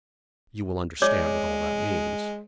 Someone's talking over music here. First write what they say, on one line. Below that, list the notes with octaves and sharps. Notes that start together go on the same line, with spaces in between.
You will understand what all that means.
G#3 C#5 D5 D6